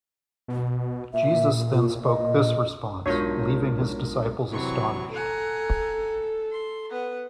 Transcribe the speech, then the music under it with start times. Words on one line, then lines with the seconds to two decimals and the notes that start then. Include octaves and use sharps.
Jesus then spoke this response, leaving his disciples astonished.
0.48 B2
1.14 A#2 E5
1.73 F4
2.04 D#5
3.06 B1 G#2 D4 F4 A#4 C#5 A#6
4.51 C3 E3 F#3 C#6
5.14 A4 F#5 G#5 A#5
6.52 C6
6.90 B3 F#5